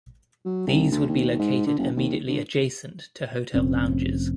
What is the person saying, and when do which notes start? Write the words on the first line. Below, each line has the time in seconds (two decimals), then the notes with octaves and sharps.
These would be located immediately adjacent to hotel lounges.
0.45 F#3
0.67 C2
0.92 D2
1.09 D#2
1.39 G#2
1.66 D3
1.78 F#1
1.96 D#2
2.28 D3
3.54 F1 C4 C#4